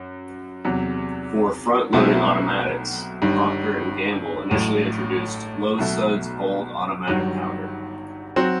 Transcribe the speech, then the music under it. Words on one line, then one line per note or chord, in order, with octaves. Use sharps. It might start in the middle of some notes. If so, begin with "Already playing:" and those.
For front loading automatics, Procter and Gamble initially introduced "Low Suds Bold Automatic" powder.
Already playing: F#2
E2 C3 F#3
B1 B2 A3 C4 E4
G1 G2 D#3
A1 A2 F#3
B1 B2 A3
G1 G2 D#3 F#3
F#3 C4 F#4